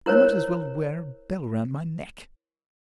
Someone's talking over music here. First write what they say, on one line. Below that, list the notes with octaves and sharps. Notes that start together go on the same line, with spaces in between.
I might as well wear a bell round my neck.
E4 A#4 C5 C#5